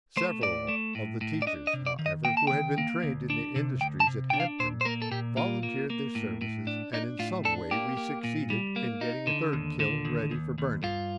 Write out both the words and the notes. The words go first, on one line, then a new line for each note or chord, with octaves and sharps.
Several of the teachers, however, who had been trained in the industries at Hampton, volunteered their services, and in some way we succeeded in getting a third kiln ready for burning.
A3 C5
A2 D5
A3
A2
A2
D5
D4 D#5
D#5
C3
D5
D#3
D#5
A#3 G5
A5
D#3 G5
A#3
D2
D4
C3
D2 G5
A5
C3
D4 G5
F5
A#2 C5
C5
A#3 A#4
A4
A#2 G4
A#3 F4
A#3
A#3
A2
A2
D4
D4 D#4
A2 F4
D4 A4
A#3 G4
A#3
A#2
G3
A#3
D#4
D3
D#2
D3
D#2
D#2
D#2
G2 F4